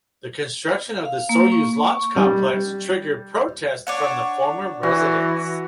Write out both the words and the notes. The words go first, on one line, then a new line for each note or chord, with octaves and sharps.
The construction of the Soyuz Launch Complex triggered protests from the former residents.
F5
A#3
C#6
G3
D4 C#5 F#5
E3 F#4